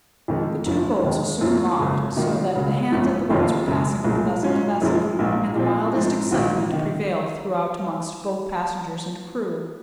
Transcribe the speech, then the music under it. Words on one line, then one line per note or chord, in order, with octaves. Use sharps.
The two boats soon locked, so that the hands of the boats were passing from vessel to vessel, and the wildest excitement prevailed throughout amongst both passengers and crew.
F2 D#3 G#3
F#1 F#2 F3
D#2 D#3 G#3
F#2 F3 C4 F4
G#1 F#2 C#3
G#2 D#3 F#3 A#3 F4
C#2 C#3 F#3
G#1 F#2 F3
F#1 F2 D#3 A#3 F4
F#2 C#3 G#3
C2 A#2 F3 G#3
G#2 F#3 C#4 F4
F#1 F#2 F3 G#3
A#1 G#2 F3 A#3
A#2 F3 C4 F4
G#2 F3 C4
A#1 G#2 D#3 F#3
D#3